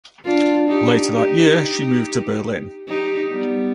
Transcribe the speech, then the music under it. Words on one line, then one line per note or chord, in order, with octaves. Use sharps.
Later that year she moved to Berlin.
D4 F4
D#4 G4
D#4 G4
D#4 G4
G3 B3